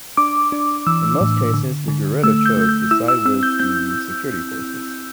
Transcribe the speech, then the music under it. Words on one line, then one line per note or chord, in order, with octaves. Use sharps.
In most cases the guerrilla chose to side with the security forces.
D4 D6
D4
E3 E6
A2
D3
D3
A3 E6
G6
A3
G6
E4 E6
E6
C4 E6
G6
C4 G6